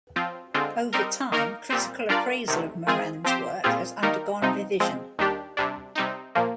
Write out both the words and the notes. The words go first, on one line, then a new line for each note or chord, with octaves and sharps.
Over time, critical appraisal of Morand's work has undergone revision.
F3 C4 F4
D3 G#3 C4 F4
G3 C4 D#4 A#4
D#3 A#3 D#4 A#4
A#2 G3 C4
G3 D4 F4 A#4 D5
D2 C3 D#3
D#3 G#3 C4 F4 G#4
F3 C4 G4 C5
A#2 G3 C4 F4 G#4
D#3 G3 A#3 D#4 A#4
C3 F3 C4 D#4
F3 G#3 C4
D#2 D#3 G3 D4 G4
C3 G3 D4
C3 G3 C4 D#4
A#2 F3 A#3